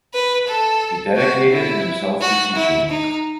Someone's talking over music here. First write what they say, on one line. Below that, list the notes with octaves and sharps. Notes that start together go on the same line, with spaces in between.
He dedicated himself to teaching.
B4
A4
F#4
E4
F#4
E4
D#4